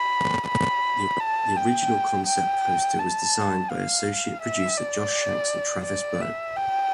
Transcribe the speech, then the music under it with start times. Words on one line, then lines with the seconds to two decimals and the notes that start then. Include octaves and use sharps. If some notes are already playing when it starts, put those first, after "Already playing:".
The original concept poster was designed by Associate Producer Josh Shanks and Travis Bow.
Already playing: B5
0.48 B5
1.20 A5
1.56 G5
2.27 G5
2.99 A5
3.70 F5
4.42 E5
4.78 D5
5.85 D5
6.21 E5
6.57 G5